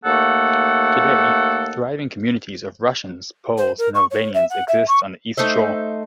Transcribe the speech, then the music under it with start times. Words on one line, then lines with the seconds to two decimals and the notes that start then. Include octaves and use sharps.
Today, thriving communities of Russians, Poles, and Albanians exist on the East Shore.
0.04 D#2 A3 A#3 A4 F#5
3.57 C5
3.78 A#4
3.94 C#6
4.10 C#5
4.34 E5
4.49 F#5
4.67 E5
4.87 C#6
5.37 A3 D#4 C5 E5